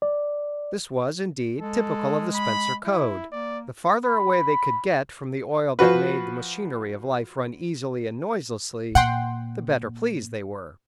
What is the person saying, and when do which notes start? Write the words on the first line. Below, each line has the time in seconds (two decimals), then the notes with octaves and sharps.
This was, indeed, typical of the Spencer code--the farther away they could get from the oil that made the machinery of life run easily and noiselessly, the better pleased they were.
0.02 D5
1.61 G#3 A4
2.35 B5
2.85 E4
3.32 A#3 D5
4.05 B5
5.79 F3 F#4 B4
8.95 A#2 F#5 G5 C6